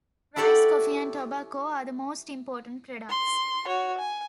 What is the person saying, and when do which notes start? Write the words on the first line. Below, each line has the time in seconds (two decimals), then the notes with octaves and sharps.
Rice, coffee and tobacco are the most important products.
0.36 E4 G4 A4 C#5 D5 F#5
3.09 C6
3.67 F#4 C#5
3.98 G#5